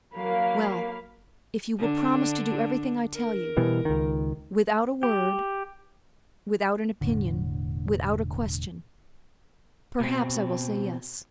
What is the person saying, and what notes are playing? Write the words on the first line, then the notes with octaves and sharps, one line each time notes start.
"Well, if you will promise to do everything I tell you, without a word, without an opinion, without a question, perhaps I will say yes."
F#3 A#3 F5 B5
D3 D4
A#4
B2 E3 G3
C#2 D#3
G4
E1 A2 D3
B2 C4